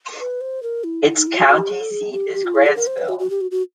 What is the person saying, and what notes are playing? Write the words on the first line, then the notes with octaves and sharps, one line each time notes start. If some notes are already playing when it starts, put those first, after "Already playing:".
Its county seat is Grantsville.
B4
C5
A#4
E4
E4
D#4
E4
F#4
F#4
G4
G#4
A4
G#4
G4
G4
F4
E4
G#4
A#4
C5
B4
F#4
F#4
G4
F#4
F#4